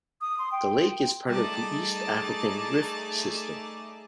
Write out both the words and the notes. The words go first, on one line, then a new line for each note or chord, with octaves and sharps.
The lake is part of the East African Rift system.
D#6
C6
G5
G3 A3 D#4 G#4 D5 A5 D6